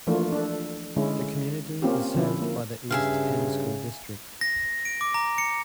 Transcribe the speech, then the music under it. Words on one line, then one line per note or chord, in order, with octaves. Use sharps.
The community is served by the East Penn School District.
E3 F3 A3 A#3 D4 F4
D4 A4
D3 G#3 C#4 E4
A#3 C4 C#4 F4 G4
D3 F3 C#4 E4
A#3
G2 C#3 G#4 E5 F5
A#6
D7
D6
A#5
C#7